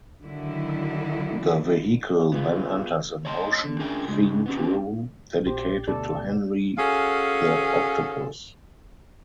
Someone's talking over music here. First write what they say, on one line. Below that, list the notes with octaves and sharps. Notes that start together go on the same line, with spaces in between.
The vehicle then enters an ocean themed room dedicated to Henry the Octopus.
D3 D#3 F#3 E4
B3 F4 G#4
C#5 D#5 A5 C6
D3
C#4 D4 G#4 A#4 G5 G#5
C#3 G#3 D4
B3 C#4 G4
A#1 G4 C5
D2 B2 A4 D5
C#4 F#4 G#4 A4 F5